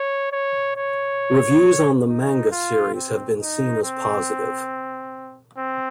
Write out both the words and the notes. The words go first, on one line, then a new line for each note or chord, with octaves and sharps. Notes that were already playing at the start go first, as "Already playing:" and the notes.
Reviews on the manga series have been seen as positive.
Already playing: C#5
C#5
C#5
D#4
F4
C4
D#4
C4
C4